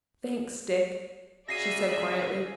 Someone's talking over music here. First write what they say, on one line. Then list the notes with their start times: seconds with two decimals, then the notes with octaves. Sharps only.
"Thanks--Dick," she said quietly.
1.48 C#3 F#4 G#4 D5 E5 A#6 C7 D#7